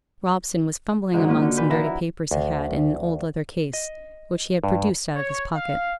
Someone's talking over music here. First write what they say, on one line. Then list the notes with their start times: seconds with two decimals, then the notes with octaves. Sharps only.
Robson was fumbling among some dirty papers he had in an old leather case, which he had produced out of his pocket.
1.14 G#2 D3 F#3
1.28 A#3 C#4 F4
1.42 D3
1.57 A#2 B4 G6
1.70 F3 E4 F#5 A#5 B5 E6
1.86 E4
2.31 D2
3.73 D#5
4.64 G2
5.15 C#5
5.54 F5